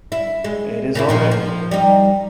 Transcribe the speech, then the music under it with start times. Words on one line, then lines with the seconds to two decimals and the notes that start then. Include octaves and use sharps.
It is already.
0.12 E4
0.44 G#3
0.95 C#3 A#3 E4
1.09 A#2 F3 D#4
1.31 F3
1.71 G3 D#4